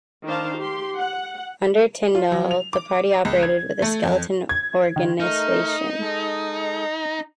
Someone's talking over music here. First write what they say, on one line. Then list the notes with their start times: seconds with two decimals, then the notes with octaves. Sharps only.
Under Tyndall, the party operated with a skeleton organisation.
0.24 D#3 D4 C5 F5 A5
0.57 G4 C6
0.96 F#5
2.15 F4
2.32 F#3
2.51 F7
2.73 D6
3.25 C#2
3.43 G#6
3.82 A3
4.03 F2
4.49 G#6
4.96 D#3
5.20 A3 D#4 A#4
6.01 G#3 A4